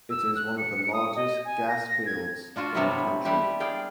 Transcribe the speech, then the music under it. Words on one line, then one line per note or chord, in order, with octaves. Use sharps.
It is one of the largest gas fields in the country.
E6
F#6
C#7
D#6
D#5
G#5
A#6
G#6
D4 F4 F#4 A5
G2 C3 F#3 B3 C4 E4
F#3
G3 D4 E4 G4
G#4 D5 F5 G5